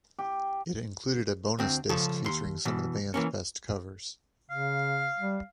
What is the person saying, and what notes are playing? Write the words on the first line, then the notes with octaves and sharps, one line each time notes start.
It included a bonus disc featuring some of the band's best covers.
G4
D2 C4
C#3 F3 A4
D#2 C6
B2 E3
E3 A#3 C#4
C#3 F5
G3